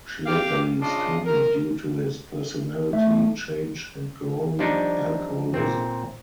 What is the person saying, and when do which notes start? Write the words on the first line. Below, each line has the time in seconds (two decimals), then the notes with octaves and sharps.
She later leaves Tony due to his personality change and growing alcoholism.
0.26 G4 F5
0.81 C#3 D4 F4 D#5
1.25 A#4
2.93 A3
4.59 F3 G3 D4 D#4
5.54 A#2 C4